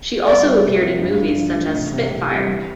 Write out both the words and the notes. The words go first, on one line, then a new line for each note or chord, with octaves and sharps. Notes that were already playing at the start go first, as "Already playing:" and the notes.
She also appeared in movies such as "Spit Fire".
C2 D5
G3
C3
A#3
G2
G2
F3
A1
C3
C3
C3
G3
E3